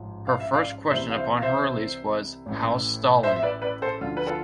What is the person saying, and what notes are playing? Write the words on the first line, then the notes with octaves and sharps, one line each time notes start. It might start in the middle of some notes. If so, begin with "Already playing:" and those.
Her first question upon her release was How's Stalin?
Already playing: A1 G#2 F3
F5
E5
D5 F5
C2 C3 E3 C5 E5
F5
C5 E5
F5
C5 E5
A1 A2 E3
C5 E5
E5
B4 D5
B4 D5
A4 C5
D2 D3 F3 F4
B4
F4 A4